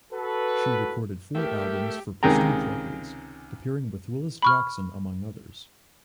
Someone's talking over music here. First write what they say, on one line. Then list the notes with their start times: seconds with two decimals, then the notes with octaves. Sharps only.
She recorded four albums for Prestige Records, appearing with Willis Jackson among others.
0.13 F#4 A4 B4
1.35 A3 G4 A#4 E5 G5
2.23 C#2 C3 D#3 G#4 G5 A#5
4.42 B5 C#6 F6